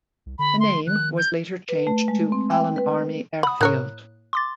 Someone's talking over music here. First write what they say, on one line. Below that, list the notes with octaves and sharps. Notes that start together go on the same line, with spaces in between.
The name was later changed to Allen Army Airfield.
C2
D3 B5
C6
D#3 F#6
G6
B4
A3
G#3
C4
G5
B4
F#5 B5 D#6
A2 A#3 A#4 C#5 F#6
C6 D6 A6